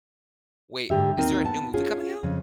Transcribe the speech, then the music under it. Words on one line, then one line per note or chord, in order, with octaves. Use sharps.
Wait. Is there a new movie coming out?
G#2 D3 G4 E5
D#2 C4 D#4 A#4
B3 A5
C#4 F4 G#4
F2 C#3